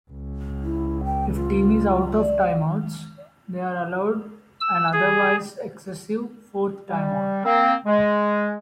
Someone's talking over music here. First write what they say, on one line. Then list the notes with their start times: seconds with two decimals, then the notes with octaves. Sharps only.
If a team is out of timeouts, they are allowed an otherwise-excessive "fourth timeout".
0.11 C#2
0.62 E4
1.04 G5
1.35 F4
2.12 D4
4.61 E6
4.93 G#4
6.89 G3
7.44 A#3 C4
7.86 G#3